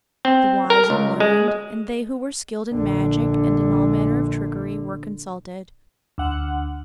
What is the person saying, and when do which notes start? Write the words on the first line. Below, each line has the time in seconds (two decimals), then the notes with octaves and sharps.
The wise and learned, and they who were skilled in magic and in all manner of trickery, were consulted.
0.25 C4
0.70 A#4
0.90 C#2
1.20 G#3
2.73 A#1 D3
6.18 D2 F#5